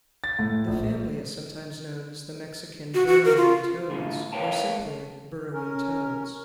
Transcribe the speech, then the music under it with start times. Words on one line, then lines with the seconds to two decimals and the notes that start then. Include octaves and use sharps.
The family is sometimes known as the Mexican burrowing toads or simply burrowing toads.
0.24 A6
0.39 A2
0.67 A#1
2.94 F#4
3.07 F#4
3.25 A#4
3.37 F4
3.90 A2 D3 F4
4.33 A#4 B4 C#5 F5 G5 A5
5.54 C#4 A#4